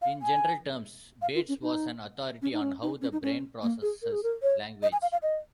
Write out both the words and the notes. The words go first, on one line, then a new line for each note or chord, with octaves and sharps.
In general terms, Bates was an authority on how the brain processes language.
F5
G#5
F5
F4
C#4
D#4
C#4
D#4
C#4
D#4
C#4
D#4
C#4
A#3
G#4
A#4
G#4
A#4
C#5
D#5
G#5
F5
F5
D#5